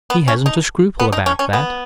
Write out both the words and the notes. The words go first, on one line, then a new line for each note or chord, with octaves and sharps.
He hasn't a scruple about that.
B3
C#4
D#4
B3
D#4
C#4
C#4
B3